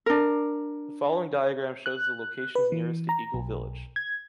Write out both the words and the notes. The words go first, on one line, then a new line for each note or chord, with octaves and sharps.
The following diagram shows the localities nearest to Eagle Village.
D4 A#4
F#6
B4
E3
A#5
B1
G#6